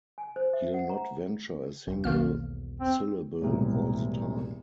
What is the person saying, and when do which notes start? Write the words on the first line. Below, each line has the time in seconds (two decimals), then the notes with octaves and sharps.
He’ll not venture a single syllable all the time!
0.18 G#5
0.36 C5
0.53 E5
0.74 F#5
0.90 A#5
1.87 F1
2.04 E1 B1 D#3 A#3 F6
2.80 C4
3.42 E1 C2 A2